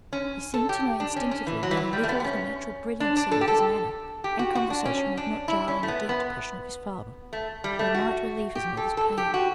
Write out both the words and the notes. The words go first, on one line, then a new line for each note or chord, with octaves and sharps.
He seemed to know instinctively when a little of the natural brilliancy of his manner and conversation would not jar on the deep depression of his father, or might relieve his mother's pain.
C#4
A4
G4
D4
C#4
C#4
E3
F#3
E3
F#3
G3
A3
B3
B3
C#4
D4
D4
A4
G4
A4
G4
F#4
F#4
D4
C#4
D4
E4
C#4
A3
B3
B3
A3
G3
A3
F#4
G4
A4
A4
G4
F#4